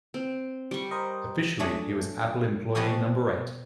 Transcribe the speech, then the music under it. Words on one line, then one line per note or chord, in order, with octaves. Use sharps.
Officially he was Apple employee number eight.
C4
G3 C#6
A#4 C5 D#5
F#3 A3 D4 G#4
B2 F3 B3 F#4 G4 G#5